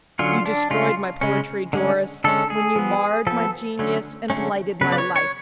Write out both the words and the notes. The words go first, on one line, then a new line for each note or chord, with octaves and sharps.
"You destroyed my poetry, Doris, when you marred my genius and blighted my life!"
D3 F#3 C#4 F4
D4
C#3 G#3 C#4 F4
C#3 G#3 C#4
D3 G#3 C#4
D3 G#3 C#4 A4
G#4
F3 B3
F3 B3 A4
D3 F#3 A3 C#4
D3 F#3 A3 C#4
C#3 F#3 B3 B4
D5
C#5
C#5